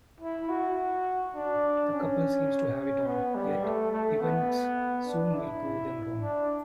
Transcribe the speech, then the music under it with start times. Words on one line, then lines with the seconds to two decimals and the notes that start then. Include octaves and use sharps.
The couple seems to have it all, yet events soon will prove them wrong.
0.20 E4
0.49 F#4
1.35 D4
1.92 C#4
2.78 C#4
3.06 B3
3.35 G3
3.64 A3
3.92 A3
4.20 B3
5.06 D4
5.34 E4
6.20 D4